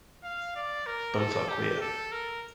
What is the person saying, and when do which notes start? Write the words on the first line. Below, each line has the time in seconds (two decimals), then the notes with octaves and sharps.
Both are queer.
0.23 F5
0.56 D5
0.86 A#4
1.18 A4
1.48 G4
1.81 A4
2.12 A#4